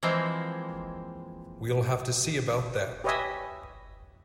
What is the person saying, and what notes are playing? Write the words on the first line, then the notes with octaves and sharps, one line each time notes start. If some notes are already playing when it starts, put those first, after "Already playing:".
We'll have to see about that.
E3 F3 G#3 A#3 C4
G4 B4 C#5 D#5 E5 G#5